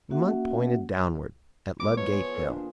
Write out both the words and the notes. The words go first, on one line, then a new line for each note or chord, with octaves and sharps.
The monk pointed downward at Ludgate Hill.
A#3 C#4 F#4 E5 F#5
B2 G#3 B3 D6
F3 C#5
G#4
A#2 D#3 A4
D4